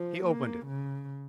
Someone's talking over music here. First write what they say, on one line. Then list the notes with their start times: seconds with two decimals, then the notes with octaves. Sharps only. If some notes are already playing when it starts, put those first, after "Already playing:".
He opened it.
Already playing: F3
0.26 A#3
0.67 C#3